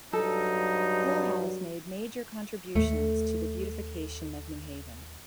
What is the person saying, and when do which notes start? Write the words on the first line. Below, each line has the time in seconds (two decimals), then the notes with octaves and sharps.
Hillhouse made major contributions to the beautification of New Haven.
0.13 G2 F#3 D#4 A4
2.75 D#2 A3